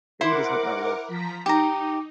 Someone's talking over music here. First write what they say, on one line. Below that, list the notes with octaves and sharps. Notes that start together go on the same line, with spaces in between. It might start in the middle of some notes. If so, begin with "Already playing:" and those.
He does not know love.
E4 A#4 C5 F#5 C6 D6
F3 A#5 B6
D#4 G4 A#5